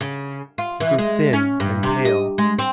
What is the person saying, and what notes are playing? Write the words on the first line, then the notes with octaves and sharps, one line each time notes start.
He grew thin and pale.
C#3
F4
E3
G#3
C#4
G2
C3
D#5
G#3
C4